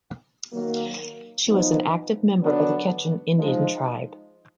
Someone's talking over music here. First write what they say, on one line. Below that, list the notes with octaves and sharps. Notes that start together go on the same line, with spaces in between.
She was an active member of the Quechan Indian Tribe.
D#3 F#3 A#3
F3 B3 D#4
D3 F#3 B3 D4
F3 G#3 D#4